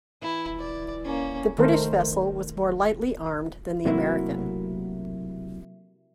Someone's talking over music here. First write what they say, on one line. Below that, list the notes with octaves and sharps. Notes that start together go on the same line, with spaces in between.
The British vessel was more lightly armed than the American.
E3 E4
D5
A#3 C#4
D#3 A3 A#4 C5
C3 F#3 A3 A#3 E4 F#4